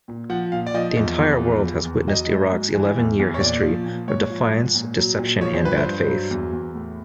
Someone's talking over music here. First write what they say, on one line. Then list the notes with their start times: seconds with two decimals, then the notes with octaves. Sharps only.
The entire world has witnessed Iraq's eleven-year history of defiance, deception and bad faith.
0.08 A#2
0.30 F3 F#5
0.52 A#2 F5
0.66 D5
0.74 F3 D#5
0.96 E2
1.19 E2
1.41 F3
1.63 E2
1.85 E2
2.07 F#3 D#5
2.30 G#2
2.52 G#2
2.75 E3
2.97 E2
3.19 E2
3.34 C#5
3.41 A#2 D5
3.63 F3
3.86 A#2
4.08 G#2 C#5
4.30 F3
4.52 G#2
4.75 A#2
4.97 F#3
5.19 A#2
5.41 F3 C#5
5.54 C5
5.64 G2 B4
5.77 C5
5.86 G2
6.08 F#3
6.31 E2
6.53 E2
6.75 A2